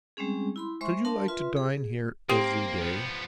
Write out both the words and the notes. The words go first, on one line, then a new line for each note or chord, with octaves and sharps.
Should you like to dine here every day?'
G3 G#3 C4 C#4 G#4
E4 B5 C6
G#3 C5 E5 C6 C#6
D4 A#4 F5 A5 C6
F4 B4 E5 C6
G#4
A#3 C4 G4
F3 B3